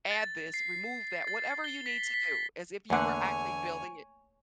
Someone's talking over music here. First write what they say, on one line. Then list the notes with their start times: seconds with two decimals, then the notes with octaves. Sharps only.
add this, remove that, whatever you need to do as if you were actually building it"
0.11 A6
0.54 C7
1.28 A6
1.64 G7
1.86 B6
2.14 B6
2.90 E2 D3 A3 A#3 C#5 F#5 G#5